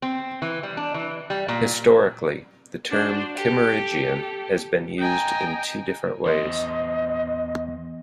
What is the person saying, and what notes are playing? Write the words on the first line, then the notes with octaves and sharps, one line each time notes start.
Historically, the term Kimmeridgian has been used in two different ways.
C4
E3
G3
D4
E3
G3
A#2
D4 F#4 C5
G4 A4
D#5 G5 G#5 A#5
E2 C5 D#5